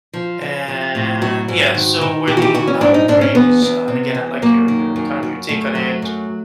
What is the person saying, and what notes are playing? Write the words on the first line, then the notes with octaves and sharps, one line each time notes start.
And yeah, so where the boundaries, uh and, again, I like your your kind of your take on it,
F3
F3
F3
A2
F#3 F#4
G#2
D#3
D#3
E3 G4
F#4
G4
E3 F#4
C#4
G#2 D4
D#4
G#2 D4
C#4
E2 B3
E2
C3
E2
F#2 A#3
D#3
F#2
F#2
F#2 A3
F#3
F#2